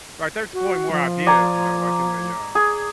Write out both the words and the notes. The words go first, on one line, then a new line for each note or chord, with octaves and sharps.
Right, they're exploring more ideas, you know, like in the j uh
F#4
F3
D5 G#5 A#5
G#4